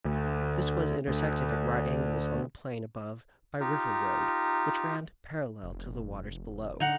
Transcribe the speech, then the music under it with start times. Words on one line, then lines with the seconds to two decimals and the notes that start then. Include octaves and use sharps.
This was intersected at right angles on the plain above by River Road, which ran parallel to the waters below.
0.05 D2
1.08 D2
3.60 D#4 F4 G4 A#4
5.63 F1
6.81 D3 D#4 F#5